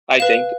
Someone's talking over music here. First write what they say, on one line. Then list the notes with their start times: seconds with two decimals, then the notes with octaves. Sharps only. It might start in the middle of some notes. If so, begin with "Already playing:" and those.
I think
0.20 B4 F5 E7